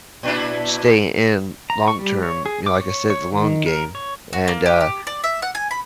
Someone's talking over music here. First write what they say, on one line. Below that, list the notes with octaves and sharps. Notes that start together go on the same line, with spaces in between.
stay in long term. You know, like I said, it's a long game, and, uh,
A#2 D4 E4
A#5
C#6
G3
C#5
G#4
D6
C#5
C#5
D#3
A#4
C#5
F#4
A#3
G4
G4
D5
E5
F#5
G#5
B5